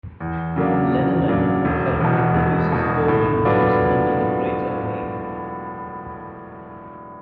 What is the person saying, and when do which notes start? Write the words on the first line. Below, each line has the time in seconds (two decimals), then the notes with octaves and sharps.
Leatherman currently produces folding knives under the Crater name.
0.20 E2
0.56 C#3 F#3 A#3 D4
0.92 E2
1.28 C#3 F#3 A#3 D4
1.65 E1
2.00 E2 B2
2.36 E1
2.72 E2 B2
3.08 A2
3.45 F#3 B3 D4 F4